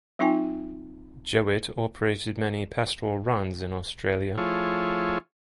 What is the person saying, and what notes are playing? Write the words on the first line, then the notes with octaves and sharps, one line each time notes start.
Jowett operated many pastoral runs in Australia.
F#3 C4 D#4 F4 G5 G#5
F3 A3 E4 F4 G#4 C#5